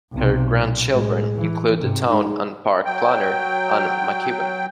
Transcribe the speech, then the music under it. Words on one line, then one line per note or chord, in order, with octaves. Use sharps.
Her grandchildren include the town and park planner Ann MacEwen.
B1 C3
A#2
A2 G#3
E3
G#2 C3
G#3 D#4
F#3 G5